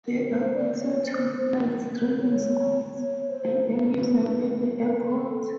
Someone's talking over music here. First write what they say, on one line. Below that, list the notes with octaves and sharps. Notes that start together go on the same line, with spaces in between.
There are also two flight training schools, and a museum at the airport.
A#4
B4
A#4
C5
D5
C#5
C5
C5
C#5
C#5
C5
B4
A4